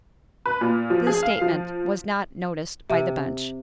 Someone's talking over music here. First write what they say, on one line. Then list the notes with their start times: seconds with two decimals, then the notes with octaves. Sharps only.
This statement was not noticed by the bench.
0.46 B4
0.61 A#2
0.90 F3
1.07 G#4
1.23 F5
1.41 F3
2.89 C3